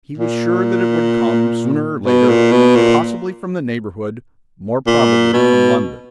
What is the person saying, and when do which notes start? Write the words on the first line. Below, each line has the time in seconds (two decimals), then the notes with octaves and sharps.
He was sure that it would come sooner or later, possibly from the neighbourhood, more probably from London.
0.17 A#2
2.05 B2
2.28 A#2
2.51 B2
2.75 A#2
4.87 A#2
5.33 B2